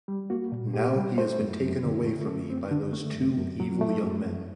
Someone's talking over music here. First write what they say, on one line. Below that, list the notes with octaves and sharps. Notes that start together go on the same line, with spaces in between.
Now he has been taken away from me by those two evil young men.
G3
A#3 F#4
A#2
A#2 G4
G3
A3 C5
F#2
F#2
D3
A3
F#2 A4
F#2 C4
D3 D4
A3
F#2
F#2
F#3
A3
F#2
F#2